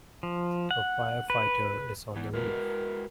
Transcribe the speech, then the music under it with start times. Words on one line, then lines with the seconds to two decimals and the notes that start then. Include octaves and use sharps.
A firefighter is on the roof.
0.23 F3
0.71 F#5
1.30 B4
2.16 E3 B3
2.34 G#3 F#4 A#4 B4